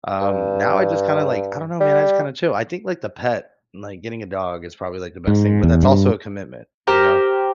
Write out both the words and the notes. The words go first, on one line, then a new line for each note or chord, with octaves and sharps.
Um, now I just kinda, like I don't know, man, I just kinda chill. I think, like, the pet like, getting a dog is probably, like, the best thing, but that's also a commitment, you know?
G2
G3
G#2
E2
G2
G4 A#4 C5